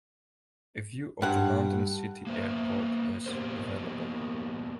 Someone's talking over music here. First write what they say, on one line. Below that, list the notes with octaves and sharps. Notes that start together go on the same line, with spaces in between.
A view of the London City Airport is available.
G2 F#5
A#3 B3 C5 E5
A#3 B3 G4 A#4 C5